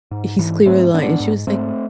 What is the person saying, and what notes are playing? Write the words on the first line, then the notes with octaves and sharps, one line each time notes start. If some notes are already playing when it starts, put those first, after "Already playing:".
he's clearly lying. And she was like,
G#2
G#2 E3
G#2 A3 C4
G#2 B3 D4
G#2
G#2 A3 C4